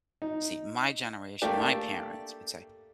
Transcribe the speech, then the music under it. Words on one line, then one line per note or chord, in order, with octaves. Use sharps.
see, my generation, my parents would say,
D#4
A3 A#3 D4 G4 D5 G5